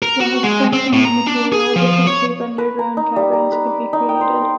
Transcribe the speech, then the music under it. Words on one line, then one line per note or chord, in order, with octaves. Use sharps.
While extracting of material, different shape underground caverns could be created.
A#4
F#4
G#3
C4
A2
A#5
D4
G#4
F3
C#5
B4
A#5
D#4
G3
A#5
B4
D6
D#4
G5
C5
A#4